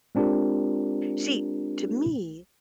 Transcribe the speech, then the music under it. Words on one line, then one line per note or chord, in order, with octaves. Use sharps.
See, to me,
G#3 C4 D4 F4 G4 A#4